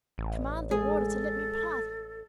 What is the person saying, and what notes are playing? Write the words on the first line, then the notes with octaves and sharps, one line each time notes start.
Command the Warder to let me pass.
A1
G#3 G#4 A4